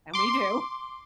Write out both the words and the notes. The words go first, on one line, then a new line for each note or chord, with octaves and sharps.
And we do.
C6 D6